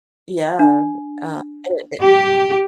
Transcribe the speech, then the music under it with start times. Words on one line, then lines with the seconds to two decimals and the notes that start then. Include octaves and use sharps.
yeah, uh, it it
0.59 D4
2.02 G4